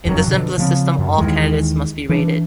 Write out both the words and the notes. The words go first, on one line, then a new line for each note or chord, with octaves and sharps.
In the simplest system, all candidates must be rated.
F#1 F2 A2 F#3
B2 D3 F3
C#3 F3 G3 C4
F#2
D#2 D#3 E3 G#3
E3 D4